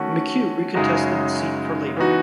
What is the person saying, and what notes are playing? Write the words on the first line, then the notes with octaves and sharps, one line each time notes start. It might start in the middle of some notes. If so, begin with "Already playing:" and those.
McKew recontested the seat for Labor.
Already playing: D#3 A3 C#4 F#4
F#2 C#3 G#3 D#4 F#4
E3 B3 D#4 F#4